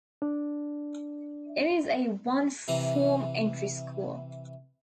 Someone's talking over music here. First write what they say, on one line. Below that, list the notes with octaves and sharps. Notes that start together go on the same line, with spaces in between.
It is a one form entry school.
D4 D5
C3 E3 A#5